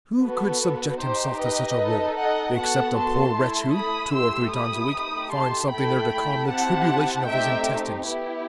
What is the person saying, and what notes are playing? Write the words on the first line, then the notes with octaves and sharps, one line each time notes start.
Who could subject himself to such a role, except the poor wretch who, two or three times a week, finds something there to calm the tribulation of his intestines?
B3 F#4 A4 B4
D#4 G4 C5
B4 D#5
D#4 A4
D#5 F#5
B3 F#4 A4 F#5 A5
A5 C6
A3 E4 A4
B5 D#6
A3 E4 G4 C6 E6
B5 D#6
A3 D#4 G4
A5 C6
A3 E4 A4 G5 B5
C4 E4 G4 F#5 A5
A3 C4 D#4 G4 E5 G5
B3 E4 G4